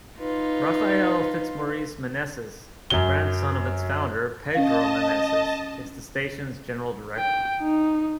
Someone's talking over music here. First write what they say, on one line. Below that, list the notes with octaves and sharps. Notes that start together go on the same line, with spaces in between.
Rafael Fitzmaurice Meneses, grandson of its founder, Pedro Meneses, is the station's general director.
D#4 F4 B4
F#2 F#3 G7
C#4 D#5 F5 A5
G5
D#4